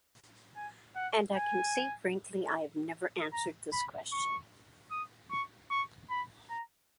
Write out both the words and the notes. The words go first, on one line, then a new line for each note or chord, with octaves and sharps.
And I can say frankly, I have never answered this question.
G#5
F#5
G#5
A#5
B5
C#6
D#6
C#6
C#6
B5
A#5